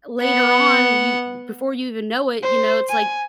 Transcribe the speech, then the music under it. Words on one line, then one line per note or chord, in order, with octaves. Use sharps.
th later on, you before you even know it, you know, it's, like,
B3 F#5
C5
G#5